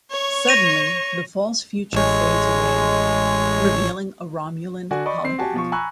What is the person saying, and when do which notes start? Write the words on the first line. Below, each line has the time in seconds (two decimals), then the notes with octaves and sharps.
Suddenly, the false future fades away, revealing a Romulan holodeck.
0.10 C#5 C#6
0.47 A#6 D#7 F7
1.93 A1 G#3 C#5
4.91 D3 F#4 D5 G#5
5.06 D5 D#5 B5 C#6
5.24 C4 C7
5.38 F#4 G4 G#5 A5
5.54 B2 F3 C#6
5.72 G#5 A#5 B5 C#6 E6 F#6